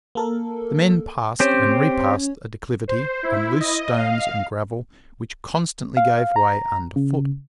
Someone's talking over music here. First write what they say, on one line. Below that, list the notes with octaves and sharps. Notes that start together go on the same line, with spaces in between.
The men passed and repassed a declivity, on loose stones and gravel, which constantly gave way under foot.
A#3 A4 A#4
C4 C#4 G4 C5 C#5
C5
E4
D#5
F5
F5
A#5
C#3